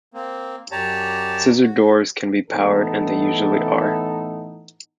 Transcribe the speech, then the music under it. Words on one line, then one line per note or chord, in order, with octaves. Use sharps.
Scissor doors can be powered and they usually are.
A#3 C4
F#2 G4 C#5 D5 A5 A#5
F#4
A2 E3 B3 D#4 A4